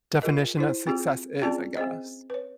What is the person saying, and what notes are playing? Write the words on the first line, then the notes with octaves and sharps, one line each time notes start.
definition of success is, I guess.
F4 G#4 A#4 D#5
E4 C5
C4 F4 G4 G#4
C4 C#4 F4 G#4 D5 A5
C4 G#4 C5 D#5
B4 C#5